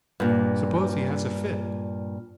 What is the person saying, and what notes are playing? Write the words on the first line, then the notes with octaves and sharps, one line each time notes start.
"Suppose he has a fit!"
G2 A#2